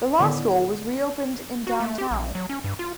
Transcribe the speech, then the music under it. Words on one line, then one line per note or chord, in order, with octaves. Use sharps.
The law school was reopened in downtown.
A2 D3 D#3 B3
F#4
A3
G4
A#1
F#3
C#4
G2
F4